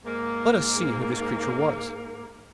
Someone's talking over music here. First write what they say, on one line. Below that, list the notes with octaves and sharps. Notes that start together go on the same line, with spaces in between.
Let us see who this creature was.
G#2 A#3